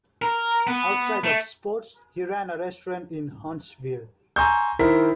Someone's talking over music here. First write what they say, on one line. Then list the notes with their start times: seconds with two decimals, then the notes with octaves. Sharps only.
Outside of sports, he ran a restaurant in Huntsville.
0.22 A#4
0.67 B3
1.24 A3
4.36 G#5 A#5 C6 C#6 E6 G6
4.79 D#3 E4 A#4 C5 B6